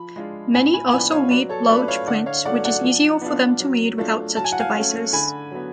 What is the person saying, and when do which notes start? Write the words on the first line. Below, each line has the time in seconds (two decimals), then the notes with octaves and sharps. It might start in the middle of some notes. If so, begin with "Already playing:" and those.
Many also read large-print, which is easier for them to read without such devices.
Already playing: F3 B5
0.16 G#3 D4 F4
0.54 A2 G#5 B5
0.74 G#5 B5
0.92 F3 B3 D4 G#5 B5
1.12 C#5 F5
1.31 F#3 B4 D5
1.49 A4 C#5
1.69 A3 C#4 F4 B4 D5
1.88 C#5 F5
2.07 D3 D5 F#5
2.26 C#5 F5
2.45 A3 D5 F#5
2.49 F#3
2.65 D5 F#5
2.84 F3
3.21 B3 D4 F4
3.60 F#3
3.98 A3 D4 F4
4.37 F#3 A5
4.44 G#5
4.52 F#5
4.59 F5 G#5
4.75 A3 C#4
5.13 D3 G#5 B5
5.52 F#3 B3